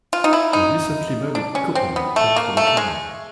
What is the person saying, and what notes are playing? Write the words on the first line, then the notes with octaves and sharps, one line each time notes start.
A recently married couple pose for the camera.
F4
D#4
E4
D#4
D4
C#4
C4
B3
A3
A#3
A3
G#3